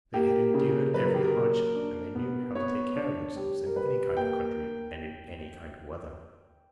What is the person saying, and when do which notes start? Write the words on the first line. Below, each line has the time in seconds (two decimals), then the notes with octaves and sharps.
They had endured every hardship and they knew how to take care of themselves in any kind of country and in any kind of weather.
0.14 A#3 G4
0.54 C#3
0.94 F#3 B4
1.04 A#4
1.14 G4
1.24 A#4
1.34 A#3
1.75 D4
2.15 B3
2.55 B3 C#5
2.96 D4
3.36 G3
3.66 A#4
3.76 G3 B4
4.17 A#3 G5